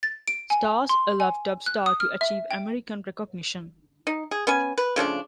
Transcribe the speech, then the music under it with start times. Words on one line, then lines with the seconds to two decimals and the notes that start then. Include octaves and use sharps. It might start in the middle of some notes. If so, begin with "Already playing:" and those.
"Stars" allowed Dubstar to achieve American recognition.
0.03 A6
0.28 D7
0.50 G#5
0.89 C6
1.20 G#5
1.66 F#6
1.86 D#6
2.00 F6
2.21 E5
2.51 G5
4.07 D#4
4.31 G#4
4.47 B3 C#4 G#5
4.78 B4
4.96 C#3 F3 A3 D4